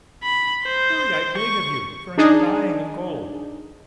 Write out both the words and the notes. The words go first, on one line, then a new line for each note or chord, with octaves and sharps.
"Hurry, I beg of you, for I am dying of cold."
B5
C5
C#6
D4 D#4 G#4